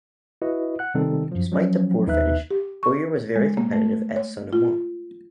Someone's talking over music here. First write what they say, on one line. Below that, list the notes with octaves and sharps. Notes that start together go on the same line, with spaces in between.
Despite the poor finish, Bowyer was very competitive at Sonoma.
E4 F#4 B4 D#5
F#5 F#6
C3 D#3 G3 C4 D#4 A4
F#2 F3
F3 F#3 C#4
D#2 D#4 B4 E5 F#6
G4
C#6
G#3
A#3
A3
C#5
F4